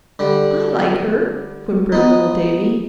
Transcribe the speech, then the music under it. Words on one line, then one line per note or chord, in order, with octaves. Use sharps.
"I like her," whimpered little Davie.
D3 G3
B3 D#4